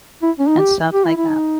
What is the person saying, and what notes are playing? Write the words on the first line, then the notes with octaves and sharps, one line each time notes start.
and stuff like that.
E4
C#4
D#4
G4
G4
E4
E4
D#4